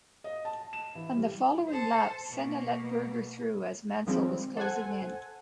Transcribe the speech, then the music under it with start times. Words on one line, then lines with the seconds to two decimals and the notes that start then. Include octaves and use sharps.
On the following lap Senna let Berger through as Mansell was closing in.
0.24 D#5
0.45 A5
0.73 E7
0.95 E3
1.16 G3
1.68 A4 C5
2.30 B2 A#3
4.07 D#3 F3 G3 G#3 C4
4.57 A4 C5 F#5 G#5